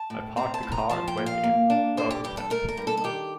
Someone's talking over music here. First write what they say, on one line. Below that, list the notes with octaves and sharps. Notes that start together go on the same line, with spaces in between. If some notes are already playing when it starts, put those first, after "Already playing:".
I parked the car, and went in, well content.
Already playing: A5
A2
C4 A#5
A5
A2
A#5
F3 A5
G5
A#2
F5
A#3
D4
D3 C5
G4
G2 G4
A4
A3 A#4
A#4
G2
A4
A4
D#3 G4